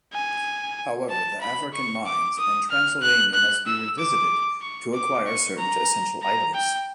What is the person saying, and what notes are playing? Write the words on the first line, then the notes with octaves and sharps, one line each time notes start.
However, The African Mines and Transylvania must be revisited to acquire certain essential items.
G#5
A5
B5
C#6
D6
D#6
F6
F#6
F#6
E6
D6
C#6
D6
C#6
A#5
A#5
G5